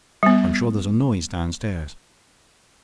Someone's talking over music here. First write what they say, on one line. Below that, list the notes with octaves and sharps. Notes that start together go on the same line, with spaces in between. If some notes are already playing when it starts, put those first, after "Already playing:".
I'm sure there's a noise downstairs.
G3 B3